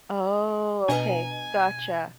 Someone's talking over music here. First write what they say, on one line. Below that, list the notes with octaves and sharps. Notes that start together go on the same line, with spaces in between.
Oh, okay. Gotcha.
B2 D4 B4 D#5 G#5 A#5